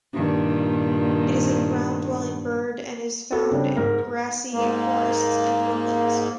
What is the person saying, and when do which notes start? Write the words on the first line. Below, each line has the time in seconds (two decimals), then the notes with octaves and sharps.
It is a ground-dwelling bird and is found in grassy forests and woodlands.
0.14 G2 A#2 D#3
3.32 C4 F#4 A4
3.51 C#3 G3 C4 D4
3.76 G#2 A#4
4.53 G#2 A#3